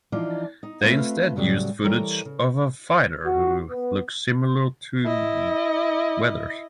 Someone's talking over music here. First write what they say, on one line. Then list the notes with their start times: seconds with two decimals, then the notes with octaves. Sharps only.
They instead used footage of a fighter who looks similar to Weathers.
0.12 E3 F3 D4 D#4 F4 D5
0.63 D#4
0.81 A3 C4 F4 B4 F5
1.36 A2 C#3 F#3 G3
1.84 E3 G3 A4 A#4 C#5
2.25 C#3
3.26 F#4
3.70 B3
5.05 E4 D#5